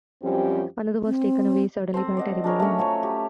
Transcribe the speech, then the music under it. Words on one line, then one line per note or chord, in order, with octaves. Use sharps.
Another was taken away suddenly by a terrible wind.
F#2 F3 G3 C4 C#4 G4
C4
C4 A4 C5
D5 D#5 F#5
D4 G#4 A#4 C#5
A3 C#4
F3 F#3 C#5
G4